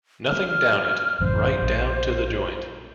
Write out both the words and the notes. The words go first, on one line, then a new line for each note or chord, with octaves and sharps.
Nothing down it, right down to the joint.
F6
A1 F#2 C#3 C5
A#1